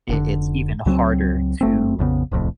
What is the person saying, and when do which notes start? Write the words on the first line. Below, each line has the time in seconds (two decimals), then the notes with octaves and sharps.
it it's even harder to,
0.09 F1 D3
0.86 C#2 F#3 B3 C4
1.61 F#1 A3 C4
1.99 A#1 F2 C#3 B3
2.32 D1 C2 F2 A2